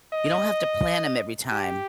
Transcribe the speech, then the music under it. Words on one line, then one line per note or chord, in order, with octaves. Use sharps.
you don't have to plant 'em every time.
D#5
G4